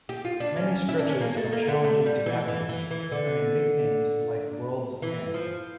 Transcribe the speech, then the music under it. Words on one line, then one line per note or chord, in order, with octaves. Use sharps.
Many stretches are challenging to navigate, earning nicknames like World's End.
G4
F4
D4
C#4
E4
D4
C#4
A#3
A3
A#3
A3
A3
G3
E3
E3
E3
E3
D3
E3
F3